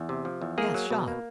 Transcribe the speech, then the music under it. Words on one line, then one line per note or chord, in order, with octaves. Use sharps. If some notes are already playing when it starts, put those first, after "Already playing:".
"Yes, shot."
Already playing: E2
C3
F3
E2
A#3 G#4
F#3
B2
A#3